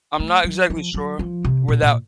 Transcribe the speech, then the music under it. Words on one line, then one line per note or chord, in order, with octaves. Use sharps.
I'm not exactly sure where that
A3
F#3
F3
F#3
F3
C3
A#2
A#2